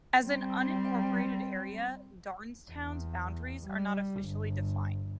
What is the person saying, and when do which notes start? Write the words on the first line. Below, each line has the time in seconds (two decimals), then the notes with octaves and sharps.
As an unincorporated area, Darnestown's boundaries are not officially defined.
0.22 G3 C4
2.71 E2
3.67 G3
4.22 G1